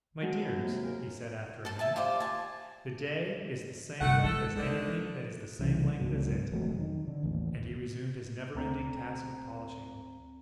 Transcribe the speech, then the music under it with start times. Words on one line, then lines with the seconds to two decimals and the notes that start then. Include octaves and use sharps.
"My dears," he said after a minute, "the day is the same length as anything that is the same length as it." And he resumed his never-ending task of polishing.
0.21 F2 F3 F#3 G#3 F#4
0.38 D#2
0.56 C3 A#3
0.82 F4 G4 G#4 A#4
1.65 A4 A5
1.79 E5 G#5 A5
1.96 F4 G4 C5 D5
2.20 G#5 A5
4.01 G1 C3 A3 F#5
4.24 G#3 A4
4.56 D3 D#3 G#3 C4 D4
5.59 C2 C#3 E3
6.00 C#2 G#2 B2 F#3
6.52 E1 F2 F#3 A3
6.78 D#3
7.08 D3
7.23 A1 D#2
8.55 D2 C4 A#5